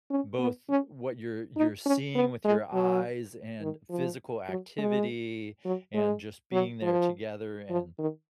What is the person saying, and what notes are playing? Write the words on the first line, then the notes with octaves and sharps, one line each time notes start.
both what you're you're seeing with your eyes and physical activity and just being there together, and
C#4
B3
C#4
D#4
C#4
B3
G#3
F#3
D#3
F3
F#3
G#3
F#3
G#3
F#3
F3
F3
D#3